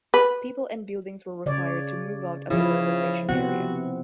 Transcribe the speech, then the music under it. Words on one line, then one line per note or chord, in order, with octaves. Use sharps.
People and buildings were required to move out of the reservation area.
B4
C#3 C#5 D5
C#3 F3 E4
C3 B3 C4 F#4